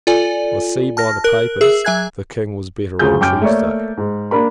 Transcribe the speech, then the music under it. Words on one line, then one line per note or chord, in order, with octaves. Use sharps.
I see, by the papers, the King was better on Tuesday.
F4 A4 D5 G#5
A5 F6 A#6
A#4 F#6
G#4 E5 E6
F#3 E5 G#5 F#6 G#6
D2 C#3 F#3 F4 G#4 G6
F#2 G5 D6 F6 G6 D7
A3 A#3 C#5 D5
G#2
A#3 D4 A#4 B5